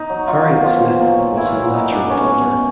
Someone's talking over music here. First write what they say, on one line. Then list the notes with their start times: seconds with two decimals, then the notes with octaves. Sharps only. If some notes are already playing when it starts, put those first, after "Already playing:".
Harriet Smith was his natural daughter.
Already playing: D#4
0.10 F#3
0.28 F#3 F4
0.46 B2
0.64 F3 F4
0.82 A#2
1.01 F#3
1.19 F#3
1.37 A#2 E4
1.45 F4
1.54 F#3 E4
1.73 F#3 D#4
1.92 F#3 D4
2.10 B2 C#4